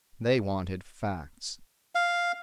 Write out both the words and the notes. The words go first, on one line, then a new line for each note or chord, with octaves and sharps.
They wanted facts.
F5